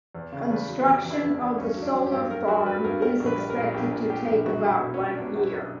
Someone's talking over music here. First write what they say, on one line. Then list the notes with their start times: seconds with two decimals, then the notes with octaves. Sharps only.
Construction of the solar farm is expected to take about one year.
0.15 E2
0.33 C#3
0.50 E2 B4
0.68 F#3
0.87 E2 G4
1.04 E2
1.11 E4
1.22 E2
1.34 D4
1.41 E2
1.58 G2 C#4
1.77 F#3
1.82 D4
1.94 F#3
2.06 G4
2.12 G2
2.30 F#3 A#4
2.48 F#3 F#4
2.66 F#3 B4
2.84 G2 A#4
3.02 G3 A#4
3.20 A#1
3.26 B4
3.38 G3
3.50 A#4
3.56 A#2
3.74 A#1 G4
3.92 A#2
4.10 G3 G4
4.28 A#1
4.46 B1 F#4
4.64 B1
4.70 E4
4.81 B2
4.94 C#4
5.00 G3
5.17 B1 D4
5.35 B1
5.42 E4
5.54 B1